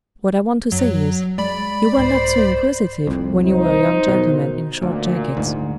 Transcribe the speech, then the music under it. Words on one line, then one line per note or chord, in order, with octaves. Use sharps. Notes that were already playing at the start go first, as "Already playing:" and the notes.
What I want to say is: you were not so inquisitive when you were a young gentleman in short jackets.
F#2 F#3
G#3 D5 B5
C2 G#2 C5
C2 F2
D#4 C5
B2 D#3
D2 A#2
D2 G#2